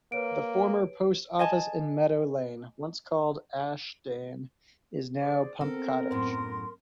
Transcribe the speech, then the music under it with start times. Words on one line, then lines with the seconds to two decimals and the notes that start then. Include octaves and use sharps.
The former post office in Meadow Lane, once called Ashdene, is now Pump Cottage.
0.12 A#3 B4 C#5 D7
1.39 D#5 G#5 A5
5.20 G#4 C5 D5
5.61 B3 C4 A4 A#4
6.11 F#2 A2 C6